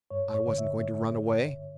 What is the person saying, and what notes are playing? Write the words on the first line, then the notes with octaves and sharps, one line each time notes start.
I wasn't going to run away.
G2 C#5
C#5
D3
E5